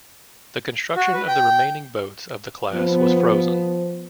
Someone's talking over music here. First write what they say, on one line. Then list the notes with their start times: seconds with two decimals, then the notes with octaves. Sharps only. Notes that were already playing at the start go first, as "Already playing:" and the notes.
The construction of the remaining boats of the class was frozen.
0.96 F#4
1.14 B4
1.28 G5
2.71 F3 B3